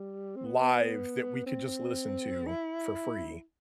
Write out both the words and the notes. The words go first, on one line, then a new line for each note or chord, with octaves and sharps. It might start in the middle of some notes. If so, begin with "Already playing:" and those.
live that we could just listen to for free.
Already playing: G3
C4
B3
C4
E4